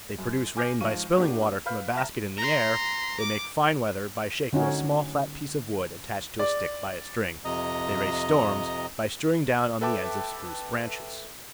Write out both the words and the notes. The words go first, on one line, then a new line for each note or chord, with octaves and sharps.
They produce rain by spilling water from a basket in the air; they make fine weather by shaking a small flat piece of wood attached to a stick by a string; they raise storms by strewing down on the ends of spruce branches.
F#2
G#5 D6 F6 G6 A#6
G#2 F3 F5 C#6 D#7
A#3 D4 F#4 G4
B4 F5 B5 F6 G6
E5 A5 A#5 F6 A#6 E7
A#5 C6
D6
D3 C#4 D#4 F#4
D5
F2 C3 D#5 A#5
A4 B4 E5 G5 A5 D6